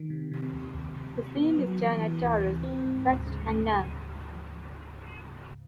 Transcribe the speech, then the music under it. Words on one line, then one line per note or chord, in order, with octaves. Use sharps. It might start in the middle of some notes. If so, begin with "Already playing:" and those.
The same is done at Terce, Sext, and None.
Already playing: D#3
C3
C3
D#2
D#2
C3
C3
B3
F#3
E3
E3
D2
C3
C4
G#2
D2
C#3